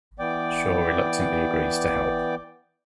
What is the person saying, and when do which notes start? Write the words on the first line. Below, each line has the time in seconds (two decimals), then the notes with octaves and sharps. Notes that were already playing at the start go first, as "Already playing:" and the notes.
Shaw reluctantly agrees to help.
0.19 E3 B3 D5 G5 D6